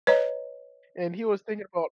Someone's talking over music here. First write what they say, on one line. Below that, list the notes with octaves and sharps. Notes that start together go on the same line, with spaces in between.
and he was thinking about
B4 C#5 D#5 A#5